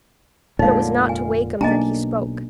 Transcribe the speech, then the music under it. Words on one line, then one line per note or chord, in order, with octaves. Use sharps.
But it was not to Wakem that he spoke.
F1 A#2 D3 G#3 D#4 C#5 F5
F5 G#5
B1 A#3 D4 D#5 G#5 A#5